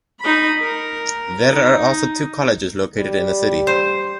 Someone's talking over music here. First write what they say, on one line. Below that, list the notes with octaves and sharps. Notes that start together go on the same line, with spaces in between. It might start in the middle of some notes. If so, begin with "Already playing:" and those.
There are also two colleges located in the city.
D#4 B5
A#4
D#4
G3
C5